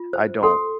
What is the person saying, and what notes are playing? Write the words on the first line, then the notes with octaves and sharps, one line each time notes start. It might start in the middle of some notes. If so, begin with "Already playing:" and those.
I don't
Already playing: F4
C5
A4 C6